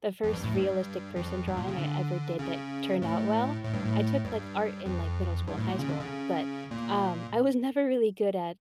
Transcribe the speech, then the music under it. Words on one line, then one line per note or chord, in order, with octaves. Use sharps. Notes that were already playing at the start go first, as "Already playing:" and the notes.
the first realistic person drawing I ever did that turned out well. I took, like, art in, like, middle school and high school, but, um, I was never really good at
F2
G2
A2
G2
F2
G2
A#2
C#3
D3
C#3
A2
A2
G2
A2
G2
F2
G2
A2
A#2
C#3
D3
C#3
A#2